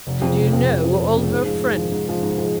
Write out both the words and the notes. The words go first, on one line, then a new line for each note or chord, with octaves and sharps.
"Did you know all her friends?"
F1
F2 C#3
F1
F2 C#3
F1
F2 C#3
F1
F2 C#3
G#2
F3 G#3
G#2
F3 G#3
G#2
F3 G#3
G#2
F3 G#3